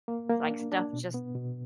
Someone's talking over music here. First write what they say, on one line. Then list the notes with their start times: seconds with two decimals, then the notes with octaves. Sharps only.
like, stuff just
0.08 A#3
0.29 A#3
0.51 D4
0.72 D4
0.93 B2
1.14 B3
1.35 B2